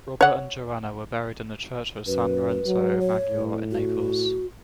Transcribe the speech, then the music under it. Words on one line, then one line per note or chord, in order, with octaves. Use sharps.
Robert and Joanna were buried in the church of San Lorenzo Maggiore in Naples.
C#5 F#5
F#2 B4
F#3
C#5
A2
F#4